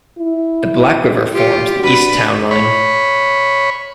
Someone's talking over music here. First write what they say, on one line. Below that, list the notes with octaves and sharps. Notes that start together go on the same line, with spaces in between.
The Black River forms the east town line.
E4
F4 G4
D4 F#4 B4
C#5 B5